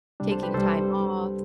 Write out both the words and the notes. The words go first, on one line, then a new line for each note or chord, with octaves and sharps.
taking time off,
C2 C3 G3 D4
A4 C5
G4 B4
C2 C3 G3 A4 C5